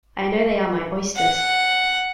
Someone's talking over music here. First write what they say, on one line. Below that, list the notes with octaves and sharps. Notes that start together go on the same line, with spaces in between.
I know they are my oysters.
F#5